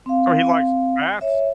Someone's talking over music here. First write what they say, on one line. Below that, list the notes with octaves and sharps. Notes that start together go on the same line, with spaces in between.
So, he likes baths?
C4 F5
C#5 E5